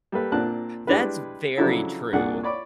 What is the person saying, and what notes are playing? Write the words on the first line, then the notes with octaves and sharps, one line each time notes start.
That's very true.
G3 A#3 A4 B4
A#2 C4 D4 A#4 A5 F#6
G3 G#3 D4 E4 B4
C#3 F3 F#3 D4 E4 A4
C2 A#2 D4 G#4 F#5
C#5 D5 B5 D6